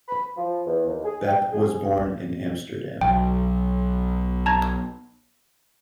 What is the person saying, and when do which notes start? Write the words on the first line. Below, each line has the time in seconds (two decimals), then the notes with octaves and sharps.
Bep was born in :Amsterdam.
0.08 B5
0.37 F3
0.66 E2
0.86 D#2
1.05 G#4
1.27 G5
1.53 G#4
3.01 B1 G5
4.46 A5 A#5 G#6